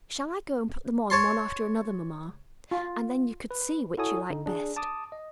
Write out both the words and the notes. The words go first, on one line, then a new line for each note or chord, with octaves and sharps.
'Shall I go and put them on one after another, mamma, and then you could see which you liked best?'
C#5 A5 C6
F4
B4
E4 F#4 A4 C#5 G#5 D#6
D3 D#4
D4 G#4
A5 D6 D#6
D#5